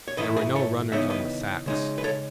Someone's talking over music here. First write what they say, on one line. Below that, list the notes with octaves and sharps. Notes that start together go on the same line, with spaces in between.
There were no runners on the sacks.
C#5
G#2 E3 A3 E4 B4 D#5
G#4 B4
A4 C#5
C#3 E3 B3 D#4 C#5 E5
B4 D#5
C#3 G#3 D#4
B4
A4 C#5